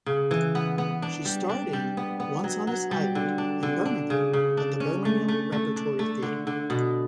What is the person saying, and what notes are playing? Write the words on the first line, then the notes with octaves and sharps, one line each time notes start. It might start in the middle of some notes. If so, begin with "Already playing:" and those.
She starred in "Once on This Island" in Birmingham at the Birmingham Repertory Theatre.
C#3
E3
B3
B3
D4
G3
D4
G3
B3
B3
F#3
F#3
G3
D3
D4
D3
D4
C#3
C#3
D4
C#4
A3
A3
A3
D4
A3
D3
D3
B2